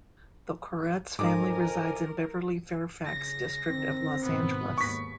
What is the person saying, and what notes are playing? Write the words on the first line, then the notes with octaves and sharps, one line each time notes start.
The Koretz family resides in the Beverly-Fairfax District of Los Angeles.
F2 G#2 D#4 A#4 G#5 A#5 D6
C#3 A#6
D3 D#3 C4
G#2 B2 D#3 B3
D#2 G#2 C#6 B6